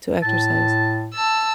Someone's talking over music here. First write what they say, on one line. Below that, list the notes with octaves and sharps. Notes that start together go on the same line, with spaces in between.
to exercise?
A2 A5
A5 E6